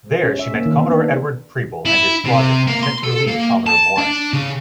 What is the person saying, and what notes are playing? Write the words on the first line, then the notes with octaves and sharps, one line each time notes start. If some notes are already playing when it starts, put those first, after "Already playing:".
There, she met Commodore Edward Preble and his squadron, sent to relieve Commodore Morris.
C#4
E5
A#3
D#3
B3
D4
E4
C3
A#3
C6
A4
A#3
A5
D4
C#3